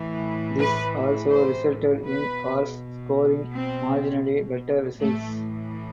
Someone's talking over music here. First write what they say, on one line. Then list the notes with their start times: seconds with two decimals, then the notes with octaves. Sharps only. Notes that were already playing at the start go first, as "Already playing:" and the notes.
This also resulted in cars scoring marginally better results.
Already playing: A2 E3
0.58 B4
1.31 C5
2.05 B2 B4
3.53 C4
5.01 A2 E3 A3